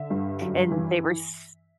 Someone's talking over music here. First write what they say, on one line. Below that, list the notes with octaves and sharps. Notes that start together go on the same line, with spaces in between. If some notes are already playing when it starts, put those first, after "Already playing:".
and they were s
Already playing: D3 E5
G2
F#2
E3